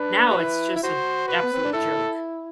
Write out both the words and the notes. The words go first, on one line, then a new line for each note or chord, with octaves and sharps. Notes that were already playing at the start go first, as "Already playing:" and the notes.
now it's just an absolute joke.
Already playing: D4 B4
F#4
E4
E4
F#4 C5
B4
B3
C4
D4
E4 A4